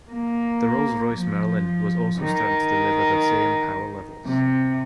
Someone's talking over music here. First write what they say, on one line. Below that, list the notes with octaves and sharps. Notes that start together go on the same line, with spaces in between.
The Rolls-Royce Merlin was also starting to deliver the same power levels.
A#3
F3
D#3
C3